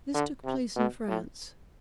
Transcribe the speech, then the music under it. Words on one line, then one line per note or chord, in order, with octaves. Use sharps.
This took place in France.
D3
C3
B2
A2